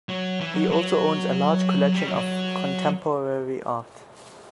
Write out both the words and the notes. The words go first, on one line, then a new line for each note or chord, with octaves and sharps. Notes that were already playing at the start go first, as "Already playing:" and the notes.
He also owns a large collection of contemporary art.
F#3
E3
F#3
F#3
G3
F#3
F#3